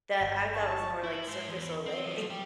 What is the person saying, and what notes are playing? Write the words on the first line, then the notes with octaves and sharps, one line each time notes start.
that I thought was more like Cirque du Soleil.
G1
A5 C#6
E4
G#2 C5
E2
C4
F3 F#3
G3 G4